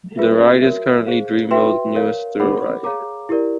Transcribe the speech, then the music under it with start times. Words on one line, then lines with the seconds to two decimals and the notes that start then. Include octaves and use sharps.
The ride is currently Dreamworld newest thrill ride.
0.17 F4 G#4 B4 E5
0.62 F#4 A#4 C#5 E5
1.07 G#4 C5 F5
1.51 F#4 B4 E5 G5 C6
1.95 A#4 C#5 F5
2.40 A#4 C#5 F#5 B5 D6
2.84 G#4 C#5 F5 A#5 D6
3.29 E4 G4 A#4 D5